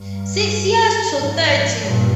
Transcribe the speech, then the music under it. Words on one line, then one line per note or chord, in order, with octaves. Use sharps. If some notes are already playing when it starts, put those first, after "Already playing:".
Six years to thirty!
Already playing: G2
F2 G#2
G2 A#2